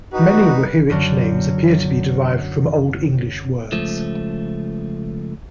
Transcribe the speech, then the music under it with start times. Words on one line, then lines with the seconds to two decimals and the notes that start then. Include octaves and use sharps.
Many Rohirric names appear to be derived from Old English words.
0.13 G3 D#4 F#4 B4
0.90 F#2 D3 F#3 D4
3.72 C#2 F3 A3